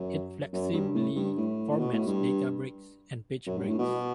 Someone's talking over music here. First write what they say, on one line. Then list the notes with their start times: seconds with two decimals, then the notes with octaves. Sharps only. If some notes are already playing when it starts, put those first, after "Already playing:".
It flexibly formats data breaks and page breaks.
Already playing: F#2
0.53 F#2
0.73 G2
0.95 A2
1.15 G2
1.37 A2
1.71 A2
1.79 B2
1.93 A2
2.07 G2
3.47 F#2
3.57 G2
3.68 A2
3.79 B2